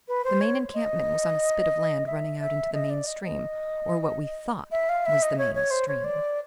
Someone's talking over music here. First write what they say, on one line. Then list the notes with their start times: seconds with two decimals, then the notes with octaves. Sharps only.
The main encampment was on a spit of land running out into the main stream, or what we thought was the main stream.
0.08 B4
0.25 C5
0.41 C#5
0.74 D#5
2.07 E5
2.40 E5
2.73 D#5
2.90 D5
3.06 D#5
3.23 D#5
4.71 E5
4.89 F5
5.06 E5
5.22 D#5
5.38 C#5
5.55 C#5
5.71 C5
5.88 C#5
6.04 D5